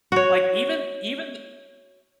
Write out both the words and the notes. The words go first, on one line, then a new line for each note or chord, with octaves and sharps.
like even, even th
F#4 C#5